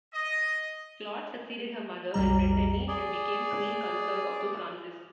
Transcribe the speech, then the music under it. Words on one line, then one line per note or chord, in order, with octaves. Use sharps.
Claude succeeded her mother in Brittany and became queen consort to Francis.
D#5
B1 F2 G3 A#5
G#4 D5